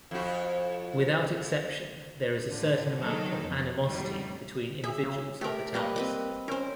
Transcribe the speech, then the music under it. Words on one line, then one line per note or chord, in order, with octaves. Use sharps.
Without exception, there is a certain amount of animosity between individuals of the towns.
F2 F#4
A2 D3
D#3 F#3 G#3 A#3 D#4 A4
F2 B2
F2 A2 D#3 F#3 G3
G#4 E5
C#3
A3 G4 A#4
G3 A#3 B4 D#5
C4 B4 D#5
C#4 A#4 C5